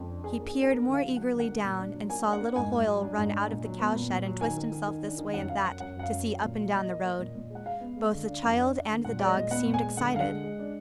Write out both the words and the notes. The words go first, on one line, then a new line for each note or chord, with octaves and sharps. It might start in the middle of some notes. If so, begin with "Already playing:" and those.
He peered more eagerly down, and saw little Hoyle run out of the cow shed and twist himself this way and that to see up and down the road. Both the child and the dog seemed excited.
Already playing: F2
D4
D4 G#4
A#3
G#4
D4
G#4
D4 A#4
D3
F5
F#3
F#3 F#5
D3
F#5
A#3
A#2
D4
F#3
A#3 G#5
D4
F#5
A#3
G#2 G#5
G#2
F#3
D4
G#2
D4
A#2
F#3
B3
A#2
A#2
F#3
D#3 G#5
D#3
D#3
D#3
D4
D#3
F#2 F#5
F#2 F5
F#2 F#5
F#2 F#5
F#2 F#5
F5
F#2
F#3
A#2
F#3
A#2 D#5
A#3
A#3
A#2
A#2
G#3 F#5
G#3 F5
B3
G#3
D3
D4
F2
D4
D4
D3
A#2 F#5
G#3 D5
D#5
A#2
B3 F#5
A#2
G#5
G#3
D3 F#5
D3 F5
F#5
G#3
G#3
D4